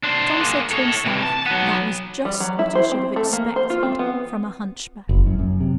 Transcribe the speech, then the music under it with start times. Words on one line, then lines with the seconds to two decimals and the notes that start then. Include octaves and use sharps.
But Tom said to himself, that was just what he should have expected from a hunchback.
0.04 D4 C5
0.40 A#3 G#4
0.72 A4 C#5
1.06 C3 E3
1.23 A5
1.46 F#3 B3
2.25 G3
2.40 F#3
2.59 E4
2.75 C5
2.92 C4
3.16 A3
3.33 A#3
3.56 C5
3.70 F4
3.83 C4
3.99 B3
5.09 F#1
5.26 F#2
5.39 F#2
5.60 C3